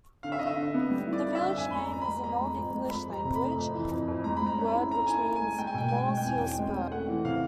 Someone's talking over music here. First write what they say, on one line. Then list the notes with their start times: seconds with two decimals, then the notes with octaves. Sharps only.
The village name is an Old English language word which means 'Mul's hill spur'.
0.23 D3 F5
0.32 E5
0.39 D3 D#5
0.47 E5
0.56 D3
0.74 B3
0.90 G3
1.07 E4
1.13 D5
1.24 E4
1.35 E5
1.40 D3
1.57 F2 G#5
1.71 B5
1.74 G#3
1.79 A#5
1.90 F2 A#5
2.01 B5
2.07 G#3
2.24 F2 A#5
2.40 G#3
2.58 F2
2.74 G#3
2.90 F2 B5
3.08 F2
3.13 A#5
3.24 C3
3.35 B5
3.41 A3
3.58 F2
3.75 E3
3.91 F2
4.08 F2
4.24 G#3 A#5
4.37 G#3 B5
4.47 A#5
4.58 C#4
4.68 B5
4.75 E4
4.91 A4 A#5
5.07 E4 G#5
5.14 A5
5.25 E4
5.36 G#5
5.41 G#3
5.58 G#3 G5
5.67 G#5
5.74 B2 G5
5.89 G#3 G#5
5.98 G5
6.08 G#3 G#5
6.17 G5
6.25 E2 G#5
6.38 C#4 G5
6.58 G#3
6.74 C#4
6.91 A3 F#5
7.08 E3
7.24 C3 F5